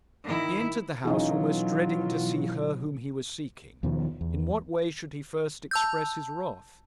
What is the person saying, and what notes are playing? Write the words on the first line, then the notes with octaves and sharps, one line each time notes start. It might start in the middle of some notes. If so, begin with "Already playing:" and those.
He entered the house almost dreading to see her whom he was seeking. In what way should he first express his wrath?
D#3 E4
B2 E3 F#3 C#4 D#4 F4 G#4
D#2 B2 D#3 F3
E2
A5 E6 G6